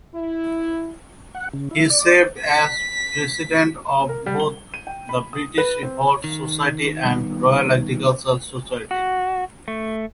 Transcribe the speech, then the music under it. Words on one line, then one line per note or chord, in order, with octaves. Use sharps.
He served as president of both the British Horse Society and Royal Agricultural Society.
E4
F#5
C#3
E4
D5
B6
A#4
G3
G7
D#7
G5
B5
D#6
B4
C4
D#3
G3 A3 B3
F#4
A3